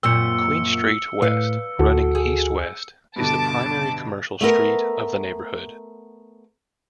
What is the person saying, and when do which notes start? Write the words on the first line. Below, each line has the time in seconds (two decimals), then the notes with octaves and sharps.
Queen Street West running east-west is the primary commercial street of the neighbourhood.
0.03 F#2 A#2 C4 E6 C#7
1.22 A2 B4 F5
1.79 D2 F#4 A4
2.15 G#4
3.16 G2 B2 D3 A5 D6
4.41 A3 B3 A#4